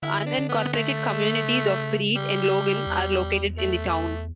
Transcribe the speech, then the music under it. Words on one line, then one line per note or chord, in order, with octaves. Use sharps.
The unincorporated communities of Breed and Logan are located in the town.
D3 E4
D4
D3
B3
A3
C#3
G3
E2
A3